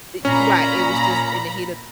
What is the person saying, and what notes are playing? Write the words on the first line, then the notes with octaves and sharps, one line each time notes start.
eh right, it was just in the heat of
A#2 C#4 A#5 B5